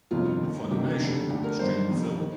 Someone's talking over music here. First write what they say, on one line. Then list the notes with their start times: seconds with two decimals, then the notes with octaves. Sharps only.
Funimation streamed the film.
0.11 G1 F2 C3 D#3 F4
0.41 D#2 D#3
0.70 D2 C3 D#3 G4
1.00 F1 D#2 D3
1.29 D2 D3 G4
1.44 A#4
1.59 G1 G2 D#3 C5
1.89 F1 F2 D#3
2.20 D#3